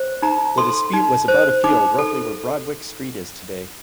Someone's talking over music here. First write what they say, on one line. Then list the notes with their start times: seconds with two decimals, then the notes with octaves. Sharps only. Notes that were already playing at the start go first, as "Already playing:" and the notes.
The dispute was about a field roughly where Broadwick Street is today.
Already playing: C5
0.22 D#4 A#5
0.58 A4 C6
0.94 D#4
1.28 C5
1.64 D#4 D6
1.99 A4